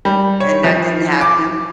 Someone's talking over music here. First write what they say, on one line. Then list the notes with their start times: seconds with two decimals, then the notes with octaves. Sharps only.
And that didn't happen?
0.05 G3
0.40 C#5
0.64 F3
1.21 D6